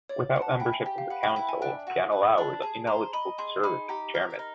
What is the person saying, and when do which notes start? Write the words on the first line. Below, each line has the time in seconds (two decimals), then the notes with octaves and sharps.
Without membership of the Council, Ganilau was ineligible to serve as its chairman.
0.09 C#5 D5
0.36 F#5
0.42 A5
0.51 G#5
0.60 E4 G5
0.73 G#5
0.86 G4 G5
0.98 F5
1.10 B4 F#5
1.23 G5
1.36 E4 G5
1.49 G#5
1.62 D4
1.87 F#4
2.12 B4
2.38 D4
2.62 G#4 A5
2.87 C5 A#5
3.13 D#5 B5
3.38 G#4 C6
3.64 D#4 B5
3.89 G4 A#5
4.14 A#4
4.39 D#4